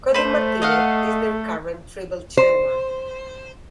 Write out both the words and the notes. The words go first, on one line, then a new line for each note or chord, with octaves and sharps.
Cody Martinez is their current tribal chairman.
A3 B4 C5
D#5 F5 F#5
C5